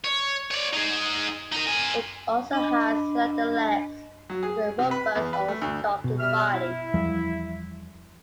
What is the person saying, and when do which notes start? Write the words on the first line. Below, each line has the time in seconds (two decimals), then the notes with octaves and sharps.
It also has slender legs with a robust or stocky body.
0.04 C#5
0.51 C#5 D5
0.73 D#4 G#4
1.53 D#4 A#4
1.67 A#4 G#5
2.53 D4 D#5 B5
4.30 F#3
4.43 G#4
4.78 C3
4.91 B4
5.15 E2
5.33 B4
5.48 A3
5.62 D2
6.04 B2
6.20 G3 E5 F6
6.53 E4
6.94 E2 F3 G3